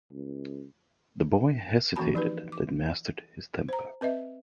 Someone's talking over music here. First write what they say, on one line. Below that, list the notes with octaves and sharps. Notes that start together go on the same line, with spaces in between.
The boy hesitated, then mastered his temper.
C#2
E3 A#3 C#4 F#4 A5 B5
F3 D#4 G4 B4
D6
C5 A#5
C4 B4 D#5 E5